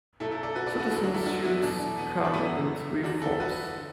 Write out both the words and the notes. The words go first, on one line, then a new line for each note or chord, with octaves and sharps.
Citizen suits come in three forms.
B1 B2 F#3 A3 E4 A4
E4 A4
A4 D5
F#4 B4
A4 D5
F#4 B4
E1 D2 D3 F#3 E4 A4
D4 F#4
E4 A4
D4 F#4
B3 E4
E2 B2 A3 D4
D4
B3
D4
A1 A2 F#3 A3 B3 E4
E2 D3 F#3 D4 F#4
E4 A4
F#4 B4
D3